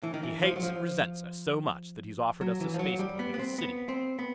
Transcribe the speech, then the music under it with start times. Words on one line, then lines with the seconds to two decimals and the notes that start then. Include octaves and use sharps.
"He hates and resents us so much that he's offered us a spaceport at his city...."
0.03 E3
0.14 D#3
0.23 E3
0.43 F3
0.56 F#3
0.63 F3
2.41 F#3
2.61 E3
2.74 F3
2.79 F#3
2.99 G3
3.19 B3
3.34 B3
3.39 C4
3.58 B3
3.89 C4
4.19 B3